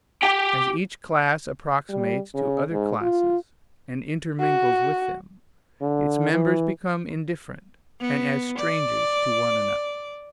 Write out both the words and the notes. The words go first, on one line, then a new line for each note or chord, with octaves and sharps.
As each class approximates to other classes, and intermingles with them, its members become indifferent and as strangers to one another.
G4 G5
G3
C#3
G#2
F4
F#4
D3
E3
B3
D5